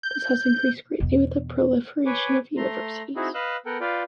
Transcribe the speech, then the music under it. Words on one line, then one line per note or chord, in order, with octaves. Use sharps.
This has increased greatly with the proliferation of universities.
G6
E2 B2
B4 C#5 G#5 D6
A3 A#5 C6
C4 D#4 E4 F#4 G#4
B4 D#5 F5 E6 F#6
B3 A4 A#4 F#5 G5
F4 B4 D5 F5 G5